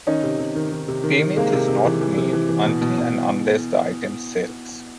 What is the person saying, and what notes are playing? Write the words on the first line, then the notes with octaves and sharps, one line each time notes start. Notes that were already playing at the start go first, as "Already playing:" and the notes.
Payment is not made until and unless the item sells.
D#3 C#4 D#4
C3
C3
D#3
D#3
C3
D#3
D#3
C3 G#3 A#3
C3
C3
E3
E3
C3
E3
E3
B2
B2
B2